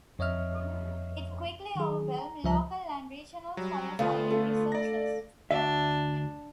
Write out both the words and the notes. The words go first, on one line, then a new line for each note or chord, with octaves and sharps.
It quickly overwhelmed local and regional firefighting resources.
F2 C#5 D#5 E5 F6
D#3 F#3 G#4
A#5
C#2 F3 G3 E5 A#5
F#3 G3
D2 A3 B3 F4 F5
A4
D5 A#6
D2 D4 E5